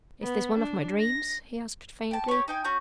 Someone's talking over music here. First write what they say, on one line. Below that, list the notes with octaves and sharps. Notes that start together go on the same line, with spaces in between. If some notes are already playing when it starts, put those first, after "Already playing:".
"Is this one of my dreams?" he asked, faintly.
B3
D4
A#6
G4 A5
G4 C#5
D#4 G5 G#5
C#4 F#4 G6